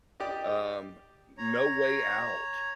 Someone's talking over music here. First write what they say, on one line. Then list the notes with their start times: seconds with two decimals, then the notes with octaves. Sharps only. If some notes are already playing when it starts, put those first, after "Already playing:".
Um, No Way Out.
0.20 G4 D5 D#5
1.38 C#5 A#5